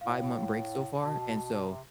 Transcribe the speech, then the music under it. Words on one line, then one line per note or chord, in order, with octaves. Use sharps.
five-month break so far, and so
A2 F5
B2 A5
C3